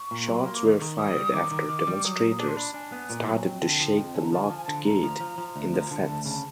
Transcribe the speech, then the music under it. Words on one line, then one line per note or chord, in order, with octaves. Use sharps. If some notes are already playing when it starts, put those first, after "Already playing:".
Shots were fired after demonstrators started to shake the locked gate in the fence.
Already playing: C#6
A#2
F#3 C6
B5
A#3 C6
D6
D#3
D#3
G3 D#6
G3
D#3 D6
D#3
D#3
G3
F#3 D#6
A#2
D4 D6
C6
D4 B5
D4 G#5
B3
A#2
F#3
F2 G5
D3
F3
F2
D3 G#5
A#5
F3 A5
G#5
F3 A5
G#5
D3 A5
D2 A#5
F3
F3
F3
D2
F3
A#5
D3 A5
D2
C#3 A5